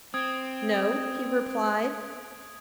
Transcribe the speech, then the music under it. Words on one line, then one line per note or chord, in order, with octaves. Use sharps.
"No," he replied.
C4 D#6 G#6 D7